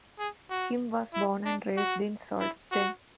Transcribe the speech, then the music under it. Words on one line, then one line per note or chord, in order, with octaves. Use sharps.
Kim was born and raised in Sault Ste.
G#4
F#4
E4
D4
F#4
E4
F#4